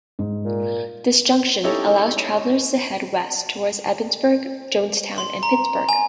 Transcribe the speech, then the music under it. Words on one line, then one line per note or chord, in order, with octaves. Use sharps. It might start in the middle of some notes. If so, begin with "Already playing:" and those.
This junction allows travelers to head west towards Ebensburg, Johnstown, and Pittsburgh.
G#2
A#2
C#4 D#4 E4 G4 A4 C#5
C6
A#5
G#5